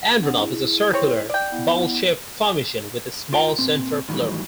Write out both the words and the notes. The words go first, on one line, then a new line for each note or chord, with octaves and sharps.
Andronov is a circular, bowl-shaped formation with a small central floor.
C4 D4 F#5
E4 G#4
C4 C#5
D5 G5
B3 E4 F#5
F4 G5 A#5
A#2 C4
G#2 D#3 E3 F#3 G3 A3